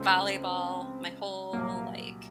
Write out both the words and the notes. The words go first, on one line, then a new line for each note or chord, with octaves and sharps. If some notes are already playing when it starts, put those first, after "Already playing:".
volleyball my whole, like,
Already playing: C#2 C#3 A3 C4 C#4 F4
C2 A#2 F#3 A#3